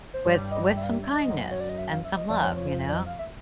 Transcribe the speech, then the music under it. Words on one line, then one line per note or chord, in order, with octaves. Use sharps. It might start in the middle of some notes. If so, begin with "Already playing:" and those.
with with some kindness and some love, you know?
C5
G2 G3 C#5
D#5
E5
F5
E5
E5
D#5
F#2 F#3
C#5
D5
D#5
E5
F5
E5
D#5
F2 F3 D5
C#5
C#5
C5
D5
D#5
F5
E5